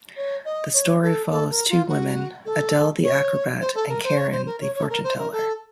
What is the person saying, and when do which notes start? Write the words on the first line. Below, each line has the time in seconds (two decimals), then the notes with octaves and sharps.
The story follows two women, Adele the acrobat and Karin the fortuneteller.
0.16 C#5
0.45 D#5
0.74 C#5
1.02 A4
1.31 A4
1.50 A#4
1.69 F4
1.88 F#4
2.45 A4
3.03 C#5
3.60 C5
3.75 A4
3.89 A#4
4.04 C5
4.17 C#5
4.32 C5
4.46 A#4
4.61 C#5
4.75 C#5
4.82 A4
4.89 A#4
5.04 C5
5.18 A#4
5.32 A4